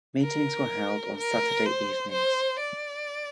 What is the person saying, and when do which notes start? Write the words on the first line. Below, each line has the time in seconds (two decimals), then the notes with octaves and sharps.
Meetings were held on Saturday evenings.
0.22 A#4
1.18 A#4
1.66 C5
2.12 C5
2.60 D5